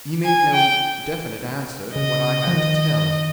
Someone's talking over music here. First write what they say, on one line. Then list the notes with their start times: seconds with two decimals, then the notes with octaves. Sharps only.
He made no definite answer to what I had to tell.
0.25 G#5
0.53 G5
1.95 C#3 D#5
2.47 F3
2.53 D#3